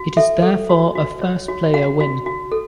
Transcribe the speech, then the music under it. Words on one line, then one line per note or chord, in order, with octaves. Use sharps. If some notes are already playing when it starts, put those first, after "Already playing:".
It is therefore a first-player win.
Already playing: F#4
A4 E5
A4
F#4
F#4
C#5
F#4
F#4 F#5
F#4
F#4
A4